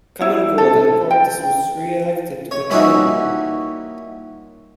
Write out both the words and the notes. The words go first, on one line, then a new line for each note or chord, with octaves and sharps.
Common Good and Portas was re-elected to the Chamber.
E4
A4
G5
C#5
A#2 G3 C#4 D#4 E4 F#4